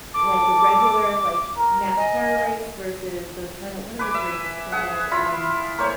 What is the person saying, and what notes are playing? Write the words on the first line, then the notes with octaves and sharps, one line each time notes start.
like, a regular, like, NASCAR race versus those kinda what are those races called, um,
A4 D6
A#4
D#5 G#5
B4 G#5 D6
E5
G#4 F#5
E4 F4 B5
A#3 C5 C#5